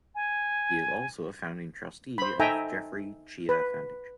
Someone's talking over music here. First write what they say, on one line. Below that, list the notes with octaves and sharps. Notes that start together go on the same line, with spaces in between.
He is also a Founding Trustee of the Jeffrey Cheah Foundation.
G#5
C5 B5
D#4 A4 E5 G5 G#5 A#5
B4